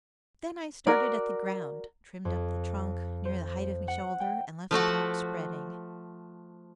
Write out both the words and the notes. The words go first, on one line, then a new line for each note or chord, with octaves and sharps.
Then I started at the ground, trimmed up the trunk near the height of me shoulder, and left the top spreading.
F#4 A#4 D5
F2
C5
F#5
G5
F3 A3 F#4 F#5